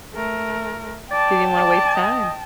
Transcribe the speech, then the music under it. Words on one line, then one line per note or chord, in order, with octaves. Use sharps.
She didn't wanna waste time.
A3 A#4
D5 G5 A5
D5
D#5